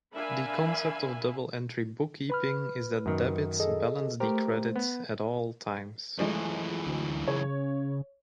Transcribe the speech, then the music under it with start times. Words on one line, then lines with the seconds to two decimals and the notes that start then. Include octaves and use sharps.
The concept of Double-entry Bookkeeping is that debits balance the credits at all times.
0.15 D4 A#4 E5 F5 G#5 B5
2.30 B4 B5 F6
3.06 F#2 D#3
3.60 G#4 A4 D#5
4.20 A3 G4 A#4 C5
4.76 B3
6.18 F#2 E3 F3 G#3 A3
6.86 D2
7.28 C#3 C#5